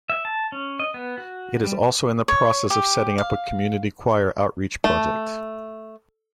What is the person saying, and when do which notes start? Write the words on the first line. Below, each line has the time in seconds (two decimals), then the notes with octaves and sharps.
It is also in the process of setting up a community choir outreach project.
0.10 E5
0.25 A5
0.52 C#4
0.79 D#5
0.94 B3
1.18 F#4
1.64 G3
2.28 C#5
2.70 G4
3.18 F5
4.84 A3